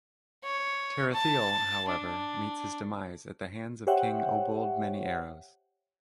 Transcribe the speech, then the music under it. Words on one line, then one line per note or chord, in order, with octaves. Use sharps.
Tarathiel, however, meets his demise at the hands of King Obould Many-Arrows.
C#5
A5
D4
G4 C5 C#5 E5 F#5 G5